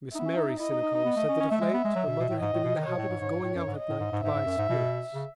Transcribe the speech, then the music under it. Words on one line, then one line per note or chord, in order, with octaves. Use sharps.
Miss Mary Sinico said that of late her mother had been in the habit of going out at night to buy spirits.
B3 D#4 E5
C#4
D#4
D#4
E4 D#5
D#4
D#4
D#4
B3
A3
C#4
C#4
A3 E5
G#3
B3
G#3
F#3
B2
B2
A2
G#2 D#5
A2
B2
D#3
B2 C#5
A2
G#2
G#2
G#2
A2
F#2
G#2
D#5
A2
G#2
G#2
G#2 E5
G#2
F#2
G#2
B2
C#3